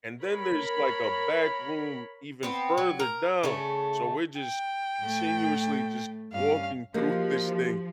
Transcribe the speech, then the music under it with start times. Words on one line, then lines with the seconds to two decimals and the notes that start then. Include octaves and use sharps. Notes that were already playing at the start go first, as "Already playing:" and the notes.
and then there's, like, a back room even further down, so we're just continuously just walking through this thing,
0.21 A#4 C#5 B5
2.43 B3 C4
2.78 F#3
3.00 A#4
3.43 C#3 A3
4.40 G5
5.01 A2 A3
6.33 G2 C#4 F5
6.94 F3 A#3 D#4 F#4 G4